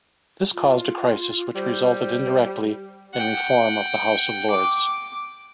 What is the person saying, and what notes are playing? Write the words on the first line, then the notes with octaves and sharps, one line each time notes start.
This caused a crisis which resulted indirectly in reform of the House of Lords.
F4
G3 C5
F#5 G5
D6